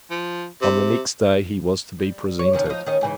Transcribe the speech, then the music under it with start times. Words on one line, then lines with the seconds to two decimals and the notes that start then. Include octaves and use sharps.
On the next day, he was to be presented.
0.10 F3
0.61 C3
1.99 G3
2.39 C#5
2.53 C3 D#3 C#4
2.66 F3 D#4
2.86 D#3 C#4 D#5
3.01 G#2 C#3 E3